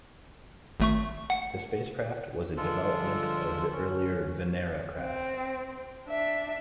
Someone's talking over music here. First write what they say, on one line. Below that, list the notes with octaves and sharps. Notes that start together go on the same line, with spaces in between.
The spacecraft was a development of the earlier "Venera" craft.
G#1 A3 C#6
F#5 C#7
D3 F3 G#3 F4 A4
C#4
C4
D4 E5